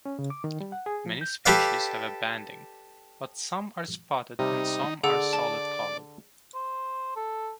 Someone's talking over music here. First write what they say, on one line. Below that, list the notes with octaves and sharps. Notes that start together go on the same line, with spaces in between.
Many species have banding, but some are spotted and some are solid-colored.
C#4
C#3
D6
D#3
G3
F#5
G#4
F3
G6
G4 A4 B4 D5 F5
C3 G3 D#4
D3 G#4 D5 F#5 E6
A5
C5
A4